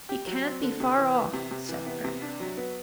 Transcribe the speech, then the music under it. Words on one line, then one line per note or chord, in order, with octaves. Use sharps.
"He can't be far off," said Frank.
G4
F#3
C4
D3
C3
E3
B3
C3
C3
E3
B3
C3
D4
F#3
B3